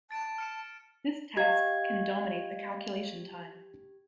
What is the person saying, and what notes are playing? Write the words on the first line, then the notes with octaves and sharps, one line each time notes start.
This task can dominate the calculation time.
A5 A6 D7
F6 C#7 E7
G4 D#5 F5 G#6